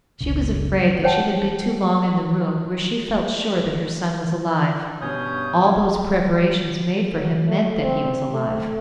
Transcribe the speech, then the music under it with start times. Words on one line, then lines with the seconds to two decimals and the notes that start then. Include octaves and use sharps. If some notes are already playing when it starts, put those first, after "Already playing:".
She was afraid that she had been too long in the room where she felt sure that her son was alive; all those preparations made for him meant that he was alive.
0.21 F#1 C#2 C#3
1.03 C5 C#5 F#5 G5 A5
5.01 G2 B2 C#4 C#5 D#6 G6
7.10 F#3
7.47 A3
7.82 C4
8.32 A3